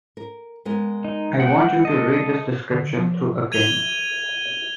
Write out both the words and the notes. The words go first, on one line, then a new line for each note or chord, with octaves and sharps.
I want you to read this description through again.
A#4
G#3 B3 A#4
D#4
F#5 G5
A4 D#5
D3
F3
G#6 D#7 F7 G7